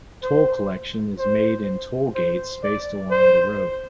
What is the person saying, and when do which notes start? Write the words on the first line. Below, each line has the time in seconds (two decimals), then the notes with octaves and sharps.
Toll collection is made in toll gates spaced along the road.
0.23 C5
1.19 C5
2.15 C5
2.63 D5
3.11 C5